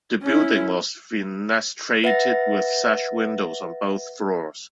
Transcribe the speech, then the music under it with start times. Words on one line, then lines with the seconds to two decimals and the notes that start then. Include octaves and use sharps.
The building was fenestrated with sash windows on both floors.
0.23 C#4 E4
2.04 B4 E5 F#5 A6 A#6